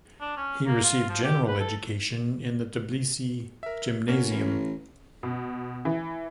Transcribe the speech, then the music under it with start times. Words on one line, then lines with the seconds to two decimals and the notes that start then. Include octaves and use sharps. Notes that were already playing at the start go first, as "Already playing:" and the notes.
He received general education in the Tbilisi Gymnasium.
0.21 D4
0.37 C#4
0.66 A#3
0.83 F4
1.09 F3
1.24 G4
1.48 B4
1.60 A4
3.63 A#4 E5
4.08 A#3 C#4 F#4
4.30 A1
5.23 B2
5.85 E3